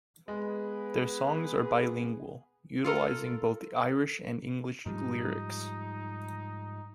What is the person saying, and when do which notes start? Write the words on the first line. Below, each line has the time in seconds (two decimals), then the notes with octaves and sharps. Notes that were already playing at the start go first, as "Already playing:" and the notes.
Their songs are bilingual, utilising both Irish and English lyrics.
0.28 G#3 B3 G#4 B4
2.84 F4 A4 A#4
4.86 G#2 F3 G3 D#4